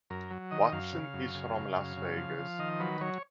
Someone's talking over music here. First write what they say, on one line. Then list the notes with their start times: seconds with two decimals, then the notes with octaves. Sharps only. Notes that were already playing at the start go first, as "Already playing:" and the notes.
Watson is from Las Vegas.
0.10 F#2 A#4
0.31 F#3
0.51 D#3 D#5
0.72 F#2 F5
0.93 C#3
1.13 F#2
1.35 C#3
1.56 C#3
1.76 F#2
1.97 C#3
2.17 F3
2.39 F3
2.59 D#3 D#5
2.80 F#3 B4
3.01 F#3 C#5